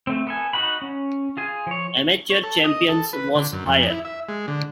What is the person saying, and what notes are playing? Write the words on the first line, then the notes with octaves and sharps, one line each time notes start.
Amateur Champions was higher.
A3 C4
B3 A4 G#5
D#4 F#4 F#5 B5
C#4
F4 G#4 G#5
F3 C#5
C#5
A4
D#5
A4
B4
D3
F#2
F2
E4
E5
G#3
D3